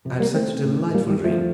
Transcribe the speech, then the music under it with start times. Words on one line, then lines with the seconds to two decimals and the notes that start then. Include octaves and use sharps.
I had such a delightful dream.
0.05 F2 C3
0.20 G3 A#3
0.35 A3 C4
0.65 A2
0.94 G3 A#3
1.09 D#3 G3
1.24 G2 D3 F3 A3